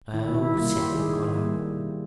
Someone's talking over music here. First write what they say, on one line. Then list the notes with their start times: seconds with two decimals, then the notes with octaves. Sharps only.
"Oh!" said the collar.
0.14 D#3 E4
0.34 E4
0.55 G3 A#3 F4
0.75 G4
0.95 D#3 G#4
1.36 G3 A#3
1.76 B2